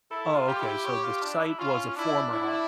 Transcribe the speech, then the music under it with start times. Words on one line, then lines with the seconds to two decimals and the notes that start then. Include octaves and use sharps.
Oh, okay, so the site was a former ho
0.11 E4 A4
0.36 F4
0.48 G4
0.61 E4
0.86 C#5
1.04 F4
1.23 D4
1.41 E4
1.59 C#4 F4
1.96 D4 E4
2.33 E4